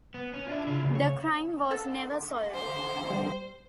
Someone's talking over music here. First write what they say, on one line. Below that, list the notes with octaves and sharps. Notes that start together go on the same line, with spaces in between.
The crime was never solved.
B3
C#4
D4 F4 E5
C#3 E4 F4
D2
C#5
A4
C5
G3